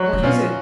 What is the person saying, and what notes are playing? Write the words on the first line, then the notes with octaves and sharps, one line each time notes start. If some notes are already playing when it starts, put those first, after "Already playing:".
What is it?
Already playing: F#3
C#3
B2 C#4 F4